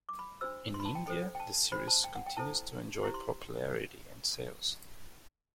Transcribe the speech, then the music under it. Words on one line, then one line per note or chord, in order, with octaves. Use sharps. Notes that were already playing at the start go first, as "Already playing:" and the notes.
In India, the Series continues to enjoy popularity and sales.
D6
B5
D4 F#4 C5 E6
C6
B5
A5
G5
D4 A4 C5 G5
G5
A5
D4 F#4 C5 B5
A5
G5
F#5
G5
E4 A4 C5 A5
E4 G4 C5
C6